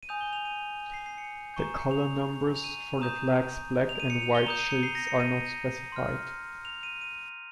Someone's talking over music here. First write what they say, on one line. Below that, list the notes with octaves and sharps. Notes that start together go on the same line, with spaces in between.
The colour numbers for the flag's black and white shades are not specified.
D#7
G#5 D#6 G6 F7
G7
F7
D#7
C7
C7
C#7
A#5 C#6 G6
F7
F7
D#7
A#5 D#6 G6
F7
D#7
C#7
F7
G7
A#5 D#6 G6 F7
D#7
C#7
C7
A#6
C#7
D#7
C6 F6
F7
D#7
D#7